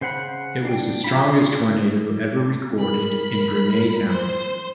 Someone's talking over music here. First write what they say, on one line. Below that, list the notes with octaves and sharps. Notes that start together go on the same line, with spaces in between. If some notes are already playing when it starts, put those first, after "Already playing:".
It was the strongest tornado ever recorded in Greene County.
C#3 C5 F#5 B5
D4 G5
F4 B5
C6
A#4 B5
C5